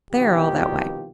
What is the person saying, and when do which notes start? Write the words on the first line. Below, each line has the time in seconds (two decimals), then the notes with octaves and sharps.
They are all that way.
0.13 C2 B2 D#3 F3 F4 G4